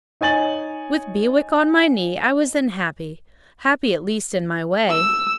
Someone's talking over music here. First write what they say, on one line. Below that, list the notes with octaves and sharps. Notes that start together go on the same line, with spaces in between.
With Bewick on my knee, I was then happy: happy at least in my way.
D#4 C#5 G#5 A6 F#7
E6